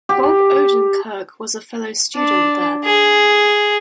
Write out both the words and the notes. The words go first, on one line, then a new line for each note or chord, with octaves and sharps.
Bob Odenkirk was a fellow student there.
G4
D4
G#4